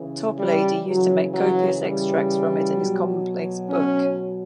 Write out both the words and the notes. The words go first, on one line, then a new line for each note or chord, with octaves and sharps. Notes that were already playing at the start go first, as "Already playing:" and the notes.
Toplady used to make copious extracts from it in his common-place book.
Already playing: C#3 E3
G3
C#3 E3 F#3
F#3
G3
B2 F#3
C#4